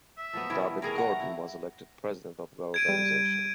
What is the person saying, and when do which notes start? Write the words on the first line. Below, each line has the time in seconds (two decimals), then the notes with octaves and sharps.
David Gordon was elected president of the organisation.
0.17 E5
0.33 F3 F#3 B3
0.50 B2 E3 G3 E4
0.82 G3 A3 C#4 E4 G#4 A#4 A#5
0.98 F#5
1.20 E4
2.74 G#6 D7 D#7
2.89 G3